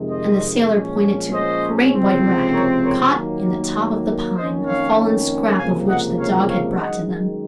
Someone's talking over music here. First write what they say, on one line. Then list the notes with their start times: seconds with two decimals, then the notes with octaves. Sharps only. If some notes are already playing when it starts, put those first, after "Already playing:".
And the sailor pointed to a great white rag, caught in the top of the pine, a fallen scrap of which the dog had brought to them.
Already playing: F2 C3 D#3 G#3
0.10 C5 D#5
0.72 A#2 F3 G#3 C#4
1.32 C5 D#5
1.93 C#2 C3 F3 C4
2.53 A#4 C#5
2.84 A#4 C#5
3.14 D#2 D#3 F#3 A#3
4.35 F2 D#3 A#3 C#4 C5 D#5
4.66 C#5 F5
5.58 C#2 C3 F3 A#3 F5 G#5
5.87 D#5 F#5
6.19 C#5 F5
6.48 C#5 F5
6.78 F#2 D#3 G#3 D#5 F#5